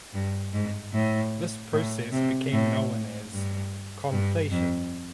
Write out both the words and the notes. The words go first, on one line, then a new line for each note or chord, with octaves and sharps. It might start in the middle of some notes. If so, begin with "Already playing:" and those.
This process became known as "conflation".
G2
G#2
A2
A2
C3
A2
G2
G2
F2